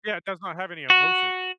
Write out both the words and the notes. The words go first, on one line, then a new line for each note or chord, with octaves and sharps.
Yeah, it does not have any emotion.
F#4